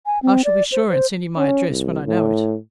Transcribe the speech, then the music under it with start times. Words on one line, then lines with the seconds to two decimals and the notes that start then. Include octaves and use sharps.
I shall be sure and send you my address when I know it.'
0.06 G#5
0.23 C4
0.45 D5
0.72 C5
0.89 C5
1.37 C#4
1.69 C2
2.07 A2